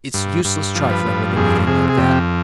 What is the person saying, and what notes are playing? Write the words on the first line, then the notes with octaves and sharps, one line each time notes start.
It's useless trifling with anything like that.
G2
G2
F3
B4
G2
F2 G#4
C3 G#4
G#4
F2 G4